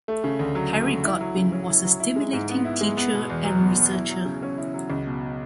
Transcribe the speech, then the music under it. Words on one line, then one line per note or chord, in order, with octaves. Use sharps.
Harry Godwin was a stimulating teacher and researcher.
A3
C#3
D2
F#3
A3
C#3
E4
F#3
C#3
C#4
E4
F#3
E4
G#3
G#2
B3
E4
G#3
B3
B2
E2
F#3
B3
B2
E4
F#3
C#3
C#4
E4
F#3
C#2
B2